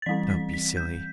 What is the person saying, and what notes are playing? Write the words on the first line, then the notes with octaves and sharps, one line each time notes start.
Don't be silly.
A6
E3 G3 C4 B6
B6
B6
G6